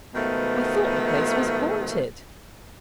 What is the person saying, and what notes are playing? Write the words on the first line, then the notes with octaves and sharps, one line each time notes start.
"I thought the place was haunted!"
B2 D#3 F3 G#3 A3 B3